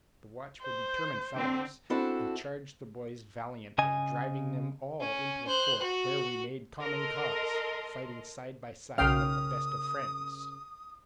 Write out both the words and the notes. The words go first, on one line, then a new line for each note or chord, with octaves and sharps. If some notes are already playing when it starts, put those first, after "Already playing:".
The watch were determined fellows, and charged the boys valiantly, driving them all into the fort, where we made common cause, fighting side by side like the best of friends.
C5
D3 C4
C4 D4 E4 F#4 A4
C#3 D#5 G#5
C#4
C5 F#6
F#4
A4 A#4 D#5 C6
B1 C#3 A#3 C#4 F5 G5 D#6 F6